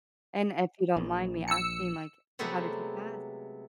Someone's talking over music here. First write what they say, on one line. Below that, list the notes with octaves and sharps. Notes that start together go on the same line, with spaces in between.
And if you don't mind me asking, like, how did he pass?
A#1
E6 C#7
C3 F#3 G#3 A3 B3 C4